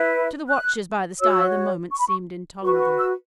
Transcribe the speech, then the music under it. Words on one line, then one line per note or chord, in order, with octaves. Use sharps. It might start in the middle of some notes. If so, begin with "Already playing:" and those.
To the watchers by the stye the moments seemed intolerable.
Already playing: E4 B4
F#6
F#4 C#5 E6
C#6
B5
C#6
F#4 B4 C#6
C#6
E6